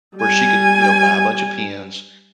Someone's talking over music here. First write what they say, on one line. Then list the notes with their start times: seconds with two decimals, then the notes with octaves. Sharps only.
where she could, you know, buy a bunch of pins.
0.18 G3 G#5